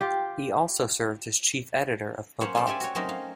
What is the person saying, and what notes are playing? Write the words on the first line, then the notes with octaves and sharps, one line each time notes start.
He also served as chief editor of Mabat.
F4 G4
F#3 A#3 C#4 C5 C#5 F#5
C#4 F4 G#4 A4 C5 D5
G4 A4 D5 E5 G#5
F#4 C#5
F#3 A3 C4 C#4 D#4 A#4
C#4 F5